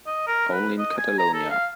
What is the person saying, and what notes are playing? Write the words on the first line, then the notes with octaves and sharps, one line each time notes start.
Only in Catalonia.
D#5
A#4
B4
D#5
G#5
A#5
A4
F5